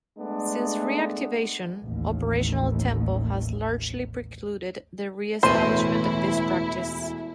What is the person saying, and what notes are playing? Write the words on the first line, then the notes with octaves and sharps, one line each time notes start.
Since re-activation, operational tempo has largely precluded the re-establishment of this practice.
G#3 A3 B3 D4
A1 D#2
E1 D2 A2 E3 E4 C5 D#7